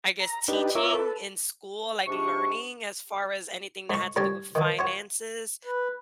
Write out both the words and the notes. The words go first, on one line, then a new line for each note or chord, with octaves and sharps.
I guess, teaching in school, like, learning as far as anything that had to do with finances,
A#5
D4 D#4 G4 B4
F4 A#4 C#5 E5 D6
A4 B4
G#2 C3 D4 G4 C#6
G#2 C#6
A2 G3 D4 C#5 G#5 A5
D#3 E3
F4 C#5 F#5
B4